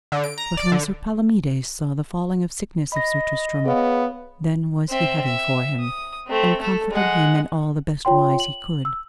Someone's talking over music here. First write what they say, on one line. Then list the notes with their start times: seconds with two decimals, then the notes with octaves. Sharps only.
But when Sir Palomides saw the falling of sickness of Sir Tristram, then was he heavy for him, and comforted him in all the best wise he could.
0.12 D3
0.24 D7
0.38 A#5
0.57 D5
0.72 D3
2.92 D#5 B5 A#6
3.66 B3 G#4 C#5 F5
4.90 C4 E5
5.25 E5
5.80 D#6
6.27 A3 C4
6.60 A3 A4
6.90 G#3 F#5
8.05 F4 C#5 G5 C6
8.40 F#7
8.85 E6